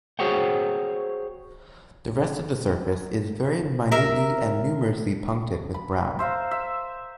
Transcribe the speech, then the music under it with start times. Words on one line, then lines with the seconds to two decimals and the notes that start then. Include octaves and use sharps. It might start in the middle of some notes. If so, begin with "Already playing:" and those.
The rest of the surface is very minutely and numerously punctate with brown.
0.19 F#4 G#4 C5 C#5 F#5 G5
3.91 A#4 E5
5.74 B5
6.19 C5 E5 F5 A#5
6.51 E5